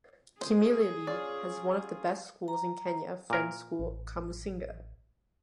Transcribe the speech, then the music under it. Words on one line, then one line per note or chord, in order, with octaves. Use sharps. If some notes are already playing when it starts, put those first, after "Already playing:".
Kimilili has one of the best schools in Kenya, Friends School Kamusinga.
G#4 C5
C#4 F4 C#5 D5
A#5
A#2 A#4
A1